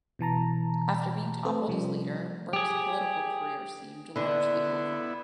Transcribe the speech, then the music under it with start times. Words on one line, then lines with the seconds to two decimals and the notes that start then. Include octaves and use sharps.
After being toppled as leader, Burke's political career seemed largely over.
0.19 B2 E3 A5 A#5
1.45 A3 C4 A4 B4 C5
1.68 C3 F3 G3 C#4
2.53 G4 G#4
4.16 D3 B3 D4 E4